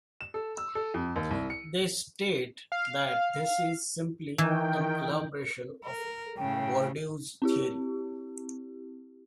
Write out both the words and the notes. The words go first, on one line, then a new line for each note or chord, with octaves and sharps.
They state that this is simply an elaboration of Bourdieu's theory.
E7
A4
E6
A4
F2
D#2
C2
C#7
F5
D#3 E3 G5
A#4
A2 C#3 G5
C4 E4 G4